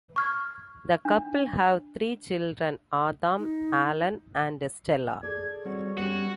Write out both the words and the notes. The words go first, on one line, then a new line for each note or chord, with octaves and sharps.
The couple have three children: Adam, Alan and Stella.
C#6 F6 G#6
D4
D#4
G#4 A4 D5 G#6
G3 C4 F#4 C#5
G3 B3 C#4 F#4 G4